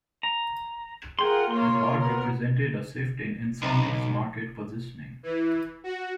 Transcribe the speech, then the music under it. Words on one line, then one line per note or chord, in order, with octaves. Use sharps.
The card represented a shift in Ensoniq's market positioning.
A#5
F4 G#4 A#4 F#5 G5 C6
A#3 F4 C#5 C6
B3 A#4
B1
E3
F#4